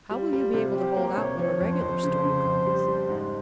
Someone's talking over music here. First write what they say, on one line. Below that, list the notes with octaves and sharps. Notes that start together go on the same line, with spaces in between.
How will you be able to hold out when a regular storm comes?
G3 F4
G3
C3
G3 G4
A#3
C#5
C3
F3 C#5
F2
C5
F2
C#3
C#3
F2
G3
G3
G#2